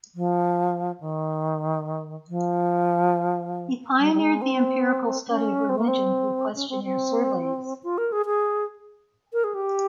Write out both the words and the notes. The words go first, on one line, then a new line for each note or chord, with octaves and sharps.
He pioneered the empirical study of religion through questionnaire surveys.
F3
D#3
F3
G3
G3
G#3
C4
C#4
C4
A#3
C4
C#4
C4
C4
F4
A#4
G#4
G#4
A#4
G#4
G4